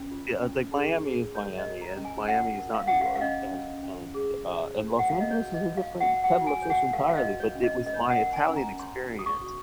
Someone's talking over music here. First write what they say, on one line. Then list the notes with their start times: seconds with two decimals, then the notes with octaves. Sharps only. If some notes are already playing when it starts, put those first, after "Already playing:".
Yeah, I think Miami is Miami, and Miami is not New York, and and, uh, and Los Angeles is a different kettle of fish entirely, but it was my Italian experience
Already playing: C#4
0.11 F4
0.42 C#4
0.73 G#4
1.04 G#4
1.35 A#4 C#5
1.58 D#5
1.66 A#4
1.82 A#5
1.97 C#4
2.05 G#5
2.28 F#4 F#5
2.59 A#4
2.74 F5
2.87 C#4 F#5
3.01 F5
3.16 F5
3.21 C#4 D#5
3.52 C#4
3.83 C#4
4.14 G#4
4.45 C5
4.76 C5
4.99 F#5
5.08 F#4 F5
5.20 D#5
5.31 C#5
5.39 F#4
5.54 D#5
5.69 C#5
5.77 F5
6.00 F#4 F#5
6.24 F#5
6.31 F#4
6.47 G#5
6.62 C#5
6.70 F#5
6.93 A#4 F5
7.09 F5
7.17 D#5
7.25 F#4
7.40 C#5
7.55 C#4
7.64 D#5
7.86 A#4 D#5
7.94 C#5
8.01 D#5
8.10 F#5
8.18 A#4
8.33 G#5
8.49 C#4
8.56 A#5
8.79 C#5 C6
9.10 F#4
9.19 D#6
9.26 C#6
9.41 F#4